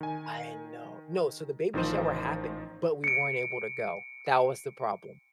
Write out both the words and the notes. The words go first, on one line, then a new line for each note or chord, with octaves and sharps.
I know No, so, the baby shower happened, but we weren't able to go, that was the problem.
D#3 G#5
A1 D#3 F3 C5
C#7 D7